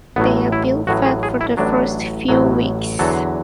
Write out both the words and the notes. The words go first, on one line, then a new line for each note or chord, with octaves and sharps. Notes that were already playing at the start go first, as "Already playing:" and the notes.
They are bill fed for the first few weeks.
A1 A2 F#3 B3
E4
A1 A2 F#3 F#4
G#4
G#4
E4
A1 A2 F#3 D4
A1 A2 F#3
E2 D3 F#3 A4